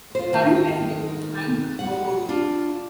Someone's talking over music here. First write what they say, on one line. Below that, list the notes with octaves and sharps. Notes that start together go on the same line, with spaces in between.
The current president is Frank Morrone.
F4 C5
D#3
F#5
D4 F4